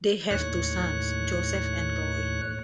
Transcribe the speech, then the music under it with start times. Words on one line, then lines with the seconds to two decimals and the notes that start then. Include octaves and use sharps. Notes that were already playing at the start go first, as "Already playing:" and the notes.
They have two sons, Joseph and Roy.
0.31 D#2 A2 C#5 F#6